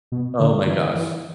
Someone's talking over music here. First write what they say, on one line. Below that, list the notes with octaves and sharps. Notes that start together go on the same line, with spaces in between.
Oh my gosh,
B2
D3
E3
E3